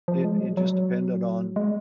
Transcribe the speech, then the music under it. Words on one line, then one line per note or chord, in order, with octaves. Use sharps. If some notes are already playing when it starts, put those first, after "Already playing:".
It it just depended on
F3
G#3
F#3
F#3
G#3